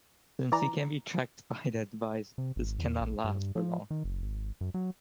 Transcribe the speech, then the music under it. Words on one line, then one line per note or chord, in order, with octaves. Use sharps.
Since he can be tracked by the device, this cannot last for long.
E3 D5 A#5
C3
G#1
E2
A#1
G2
F3
D#3
F#1
G#1
F#2
F#3